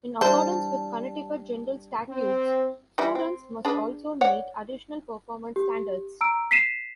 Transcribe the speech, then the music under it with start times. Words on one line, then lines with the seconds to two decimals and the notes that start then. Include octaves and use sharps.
In accordance with Connecticut General Statutes, students must also meet additional performance standards.
0.21 E3 G3 D4 C5 A5
2.09 C4
2.98 E3 G3 E4
3.15 C4
3.65 D4 G#4 B4
4.21 C#5 D5 F#5
5.56 G4
6.21 A#5 E6 D7
6.51 B6 C7 D#7 E7